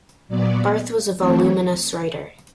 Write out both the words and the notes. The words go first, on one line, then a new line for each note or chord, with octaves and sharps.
Barth was a voluminous writer.
A#2 F#3 B3 D5
E3 A3 C4 C#5